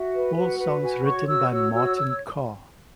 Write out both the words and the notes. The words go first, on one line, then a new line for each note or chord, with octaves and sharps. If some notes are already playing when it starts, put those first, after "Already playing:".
All songs written by Martin Carr.
Already playing: F#4 E5
B4
F#4 F#5
B4
F#4 G#5
C#5 C#6
F#4 E6
C#6
C#5 E6
F#4 E6
C#5